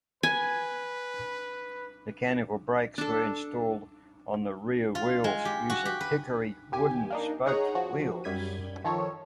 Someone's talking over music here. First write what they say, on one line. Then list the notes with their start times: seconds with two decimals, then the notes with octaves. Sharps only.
Mechanical brakes were installed on the rear wheels using hickory wooden spoked wheels.
0.23 B4 G#5
2.98 D4 A4
4.95 F4
5.24 G#3
5.45 G4
5.70 F#4
5.85 G4
6.01 B4
6.72 D#2 G4 G#5
7.10 A#3 D4 D#4
7.46 D#4 G#4 C#5 F#5 A#5
7.75 F3 F#4
8.24 F#2 G3 G#6 B6 D#7
8.84 D#3 F3 A4 C#5